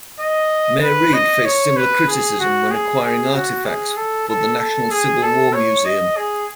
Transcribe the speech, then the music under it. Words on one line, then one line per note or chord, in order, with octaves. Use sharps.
Mayor Reed faced similar criticism when acquiring artifacts for the National Civil War Museum.
D#5
B4
D#5
C#5
B4
G#4
F#4
G#4
G#4
F#4
G#4
A4
A4
A4
G#4
A4
C#5
D#5
G#4